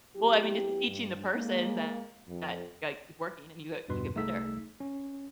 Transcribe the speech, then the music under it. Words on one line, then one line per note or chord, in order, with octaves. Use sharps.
Well, I mean, it's teaching the person that that ya gotta keep working and you, uh you get better.
F#3 B3 E4 G4
G2
G#3 A#3
F2
E2 G2 B2 B4 C6
C2 A3 D#4 G#4 E6 B6
C#4